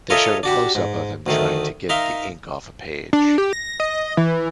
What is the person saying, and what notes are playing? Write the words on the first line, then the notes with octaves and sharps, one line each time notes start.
They showed a closeup of him trying to get the ink off a page.
F4 A4 A#4 C#5 D#5 E5
D4 F#4 G4
G#2
D2 D#3 A3
D#4 A#4 E5 F5 C6
D4
G4
A#6
D#5
E3